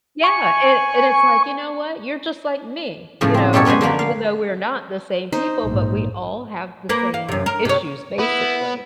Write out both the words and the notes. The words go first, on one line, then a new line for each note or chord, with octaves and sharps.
Yeah, and and it's like, "You know what? You're just like me." You know? I mean, even though we're not the same people, but we all have the same issues, basically.
G#5 C#6
A2 C#3 F3
C4 D4
F#2 B2 A3 G4 A4 C#5
B3 C#4 B4 C5 G#5
D3 F3 A#3 B4
F5
D#4 C5
A#1 G#2
A#3 B4
F5
F#2 C3
A#4
C3 C#5
B3 E4